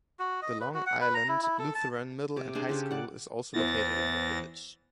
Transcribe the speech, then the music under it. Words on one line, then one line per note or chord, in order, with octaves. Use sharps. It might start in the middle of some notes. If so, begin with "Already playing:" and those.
The Long Island Lutheran Middle and High School is also located in the village.
F#4
D#5
B4
F#4
F#5
B4
A#5
E4
E4
A4
A5
C3 D6
D4 G#4 C5
C#3 G4 A4
D5 F#5
E2 B3 E4 C5 A6 A#6